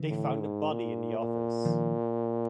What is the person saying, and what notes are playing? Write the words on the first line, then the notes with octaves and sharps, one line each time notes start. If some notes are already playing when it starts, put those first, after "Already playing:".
They've found a body in the office.
Already playing: D3 E3
A2
G#2
A#2
A#2
D#3 F3